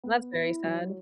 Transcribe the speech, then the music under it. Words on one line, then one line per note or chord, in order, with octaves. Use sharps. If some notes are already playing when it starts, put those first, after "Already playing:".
That's very sad.
B3
E4
F#3